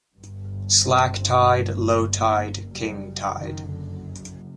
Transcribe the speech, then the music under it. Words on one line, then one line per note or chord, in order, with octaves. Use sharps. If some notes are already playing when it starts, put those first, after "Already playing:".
Slack tide, low tide, king tide.
G1 G2
C4
C4
A3
A#3
F#1 F#2 G3
D#3
D3